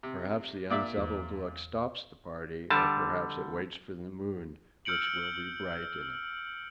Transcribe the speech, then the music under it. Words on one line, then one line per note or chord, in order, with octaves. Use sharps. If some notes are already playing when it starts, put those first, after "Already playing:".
Perhaps the unsettled look stops the party, or perhaps it waits for the moon, which will be bright in a day or two.
C3
A#2 D5 E5
E2
D3 G3 A5
E6 F6 G6 C#7 D7 F#7